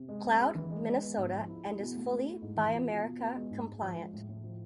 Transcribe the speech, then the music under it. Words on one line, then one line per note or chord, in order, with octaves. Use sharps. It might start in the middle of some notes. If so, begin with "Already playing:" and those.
Cloud, Minnesota, and is fully "Buy America" compliant.
Already playing: C3
G#3
C4
G#4
E3
G#3
G#3
B3
G#2
F3
E4
G#4
B2
A3
A3
E4
G#2
E3
F4
B2
B2
B3
G#3
G#2
G#2
F3
G#3
A2
A2
F3